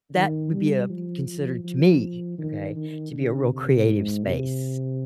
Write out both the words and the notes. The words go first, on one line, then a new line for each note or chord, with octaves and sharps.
That would be, uh, considered to me, okay, to be a real creative space.
D#3
G3
F3
F3
F3
D#3
D#3
D3
C3
G#2
C3